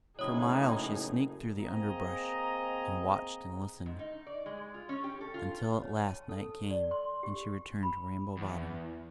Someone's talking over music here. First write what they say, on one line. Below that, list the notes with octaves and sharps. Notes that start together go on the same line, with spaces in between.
For miles she sneaked through the underbrush, and watched and listened; until at last night came, and she returned to Rainbow Bottom.
F#1 A2 D#4 G#4 C#5 D#6
A#3 C4 G#4 D#5 A#5
G#2
D#4
D5
G#3
F4
C#4
G4
A4
F4
C#5
A5
A4
D5
C6
G4
B5
E2